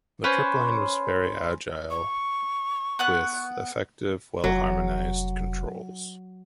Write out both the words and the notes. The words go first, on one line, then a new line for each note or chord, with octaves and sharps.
The Triplane was very agile, with effective, well-harmonised controls.
C#4 B4 C5
C#6
B3 F#5 F#6
F1 F#3